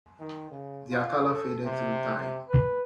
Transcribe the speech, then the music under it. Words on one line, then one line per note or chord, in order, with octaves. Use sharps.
Their color faded through time.
D#3
C#3
F4
A4
C3
C3
B4